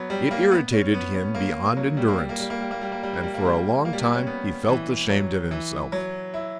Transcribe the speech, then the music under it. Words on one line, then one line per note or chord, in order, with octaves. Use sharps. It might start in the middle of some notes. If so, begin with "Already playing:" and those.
It irritated him beyond endurance, and for a long time he felt ashamed of himself.
Already playing: F#3 B3
G3
A#3
B3
C#4
B3
C#4
A#3
F#3
G3
A#3
G3
A#3
G3
A#3
G3
A#3
G3
A#3
G3
A#3
G3
A#3
G3
A#3
G3
A#3
C#4
B3
E3
F#3
E3
F#3
E4